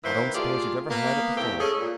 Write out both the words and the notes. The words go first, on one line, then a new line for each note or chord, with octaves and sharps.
"I don't suppose you ever heard it before."
D#3 A#3 E4 B4 C5
A3 F4 G4 G#4 D5
A#3 B3
A2 C3 A3 A#3 G4
G#3 C#4 G#4 A4
A#2